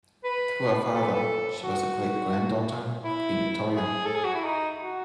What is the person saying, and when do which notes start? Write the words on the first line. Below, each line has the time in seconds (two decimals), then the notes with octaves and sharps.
Through her father, she was a great-granddaughter of Queen Victoria.
0.24 B4
0.94 A4
1.03 B4
1.13 A4
1.64 F#4
3.04 E4
3.74 G#4
4.05 A4
4.15 G#4
4.24 F#4
4.34 E4
4.44 D#4
4.79 F#4